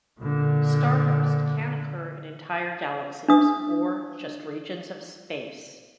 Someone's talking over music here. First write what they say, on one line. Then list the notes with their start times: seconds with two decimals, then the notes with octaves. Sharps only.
Starburst can occur in entire galaxies or just regions of space.
0.20 A#2 D3
3.28 D4 D#6